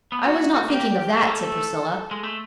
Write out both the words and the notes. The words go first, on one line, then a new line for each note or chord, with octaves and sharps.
"I was not thinking of that," said Priscilla.
B3
A#3 F#4
A#3 G4
A3 A4
A#3
A3
G#3
A3